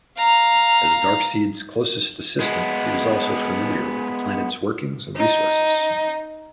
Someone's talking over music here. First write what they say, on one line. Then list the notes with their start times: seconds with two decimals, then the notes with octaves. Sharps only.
As Darkseid's closest assistant, he was also familiar with the planet's workings and resources.
0.17 F5 A#5
2.40 G#3 B3
5.16 D#4